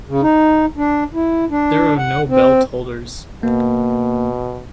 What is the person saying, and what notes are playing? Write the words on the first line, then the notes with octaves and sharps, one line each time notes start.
There are no belt holders.
C#3
D#4
D4
E4
D4
F#5
C4
B2 A#3